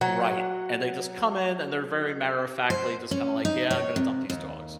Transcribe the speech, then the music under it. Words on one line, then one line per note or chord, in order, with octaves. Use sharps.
Right, and they just come in and they're very matter of factly just kinda, like, "Yeah, I'm gonna dump these dogs."
F#3 F#5 A#5
C5
C#4
D#4
C#5
C3
D#2